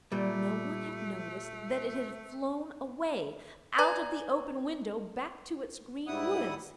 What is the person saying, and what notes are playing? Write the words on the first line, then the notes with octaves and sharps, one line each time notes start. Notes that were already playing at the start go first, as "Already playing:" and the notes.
No one had noticed that it had flown away, out of the open window, back to its green woods.
A#2 G3 A3
B4 D5 G#5 A#5 G#6
G#2 G3 E4 F#5 D#6